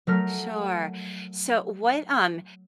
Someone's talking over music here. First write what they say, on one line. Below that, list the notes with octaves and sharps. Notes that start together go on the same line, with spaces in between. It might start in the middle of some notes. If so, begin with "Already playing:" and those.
Sure. So what um,
F#3 A3 A#4 F6